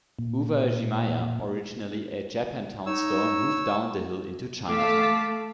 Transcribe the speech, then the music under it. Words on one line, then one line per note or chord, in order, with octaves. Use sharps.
Uwajimaya, originally a Japantown store, moved down the hill into Chinatown.
A#2
D#4 C#5 E6
A3 F5 A5 D6 B6